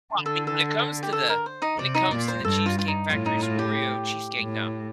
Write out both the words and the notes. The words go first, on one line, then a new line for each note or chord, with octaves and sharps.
Well, I mean, when it comes to the when it comes to The Cheesecake Factory's Oreo cheesecake, no, I'm
D3
A4
A4
G4
A4
A#4
C5
D#4 D#5
C3 D5
D#4 D#5
A#2 D5
C5
G2 A4
F4
F4
D#4
A2 F4
D#4
F4
G4
A2